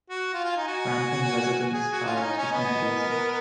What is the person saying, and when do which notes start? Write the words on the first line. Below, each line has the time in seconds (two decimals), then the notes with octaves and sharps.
Granting residence cards would make it easy.
0.10 F#4
0.33 F4 G#5
0.44 F4
0.57 D#4
0.68 F#4
1.73 G#4 G#5
1.90 F#4
2.05 F4
2.16 C#4
2.21 D#4 D#5
2.36 C#4
2.52 B3
2.67 A#4